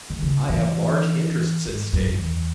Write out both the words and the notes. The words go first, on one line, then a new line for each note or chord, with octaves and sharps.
I have large interests at stake.
D#3
C#3
E3
G#2
F#2
A#2
E2